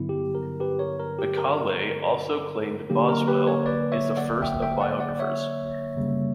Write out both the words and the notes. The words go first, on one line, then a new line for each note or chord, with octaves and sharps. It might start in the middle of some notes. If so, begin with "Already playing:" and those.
Macaulay also claimed Boswell is the first of biographers.
Already playing: G2 D3 F#3 B3 E4
G4
A#4
G4 B4
A#4 C#5
A#4
G4
A#4
D3 F#3 A#3 G4
A#4
G4 B4
A#4 C#5
B4 D5
C#5 E5
D5 F#5
E5 G5
E5 G5
D5 F#5
D5 F#5
C#5 E5
F#2 C#3 G3 A#3